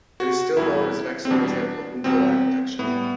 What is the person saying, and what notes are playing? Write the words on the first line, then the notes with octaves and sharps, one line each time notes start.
It is still known as an excellent example of Mughal architecture.
F#4
E2 B2 G3 E4
C4
E2 B2 G3 D4
E2 B2 G3 C4
A2 G3 B3